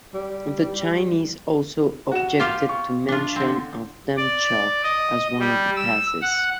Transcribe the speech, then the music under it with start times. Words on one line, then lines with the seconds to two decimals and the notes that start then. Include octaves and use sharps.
The Chinese also objected to the mention of Demchok as one of the passes.
0.14 G3
2.12 F#4 E7
2.40 F4 G4 F5
2.69 C#6
3.08 D4 F4
3.36 D3 C4
4.17 D5
4.84 D#5
5.39 G3
5.76 E6
6.22 F#5